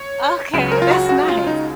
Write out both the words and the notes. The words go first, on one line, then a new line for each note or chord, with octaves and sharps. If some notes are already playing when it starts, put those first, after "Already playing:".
Okay, that's nice.
Already playing: C#5
C#2 C#3 F#3
A#4
F4
F#4
F#4
F4
D#4